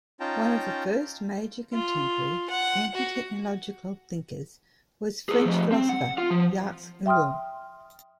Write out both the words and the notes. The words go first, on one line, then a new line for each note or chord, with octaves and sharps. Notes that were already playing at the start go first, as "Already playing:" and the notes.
One of the first major contemporary anti-technological thinkers was French philosopher Jacques Ellul.
C#4 D#4 F4 G5 A5 A#5
F4
F#5
F#4
G#4 B4
F3 A3
C4
F#5
F4
F3
E5 G5 C6 D#6 F6